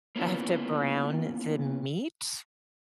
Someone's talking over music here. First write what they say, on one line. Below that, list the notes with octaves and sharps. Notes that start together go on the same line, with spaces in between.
I have to brown the meat
A#3 B3 C#4 E4 F4